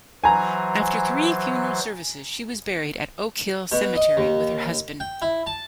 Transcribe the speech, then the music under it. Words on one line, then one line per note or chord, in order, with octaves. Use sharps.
After three funeral services, she was buried at Oak Hill Cemetery with her husband.
E3 F#3 C5 G#5 A#5
B2
D#5
D#2
G5
E4
A5